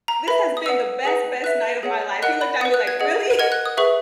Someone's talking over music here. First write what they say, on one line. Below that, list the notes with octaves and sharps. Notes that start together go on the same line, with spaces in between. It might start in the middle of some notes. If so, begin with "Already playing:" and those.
this has been the best, best night of my life!" he looked at me like, "Really?"
A#5
B4 E5 B5
D#6
B4 F#5 E6
G#4 B4 F#5
B4 E5 F#6
G#4 C#5 F#5
A#4 D#5 F#5 F#6
B5
B4 F#5 D#6
F#6
G#6
G#4 D#5 F#5
A#4 D#5 F#5 G#6
F#6
D#6
G#4 B4 E5 C#6